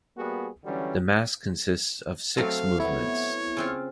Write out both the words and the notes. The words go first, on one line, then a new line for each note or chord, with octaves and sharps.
The mass consists of six movements.
G3 A#3 B3 F#4 G#4
D3 E3 F#3 G3 C#4
F#3 A3 C4 F5
B3 E4 C#5
C#3 C4 F4